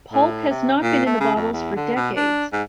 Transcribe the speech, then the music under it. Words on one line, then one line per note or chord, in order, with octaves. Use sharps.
Pulp has not been in the bottles for decades.
A2
C3
A#2
A3
C#3
F2
E2
D3
B2
D4
G#2